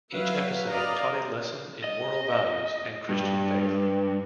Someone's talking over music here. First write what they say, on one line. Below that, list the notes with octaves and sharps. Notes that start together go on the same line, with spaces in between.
Each episode taught a lesson in moral values and Christian faith.
F#3 B4 E5 F5
D5 D#5 F5 A#5
D#5
G2